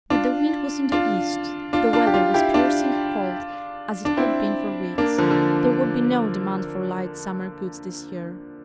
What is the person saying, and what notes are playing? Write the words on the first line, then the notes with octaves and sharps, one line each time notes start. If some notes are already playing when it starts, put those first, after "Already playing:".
But the wind was in the east; the weather was piercing cold, as it had been for weeks; there would be no demand for light summer goods this year.
D4 F4
D4 F4
D4 F4
D4 F4
G4
D4 F4
E4 G4
D4 F4
D4
C4 E4
A#3 D4
D3 F3
D3